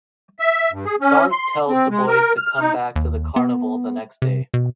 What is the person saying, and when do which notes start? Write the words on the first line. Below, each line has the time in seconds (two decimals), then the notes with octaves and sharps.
Dark tells the boys to come back to the carnival the next day.
0.40 E5
0.72 G2
0.85 G#4
1.00 C#4
1.31 C6
1.69 C4
1.90 G#3
2.08 A#4
2.38 F6
2.60 D#4
2.96 D#2
3.36 B3
4.22 C3
4.54 B2